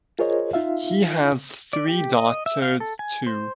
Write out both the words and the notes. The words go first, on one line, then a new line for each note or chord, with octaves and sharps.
He has three daughters too.
F4 G#4 A#4 C5 C#5 D#5
D#4 F4 E5 F5
D5
G4
D#5
E5
F5
A4
G#5
C5